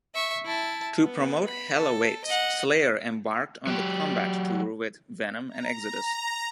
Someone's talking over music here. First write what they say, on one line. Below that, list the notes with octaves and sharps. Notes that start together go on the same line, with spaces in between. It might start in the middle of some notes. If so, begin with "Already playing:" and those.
To promote "Hell Awaits", Slayer embarked on the Combat Tour with Venom and Exodus.
E5 C#6
E4 A5
B3
B5
A4
D#5 F#5
F#3 G4
A#5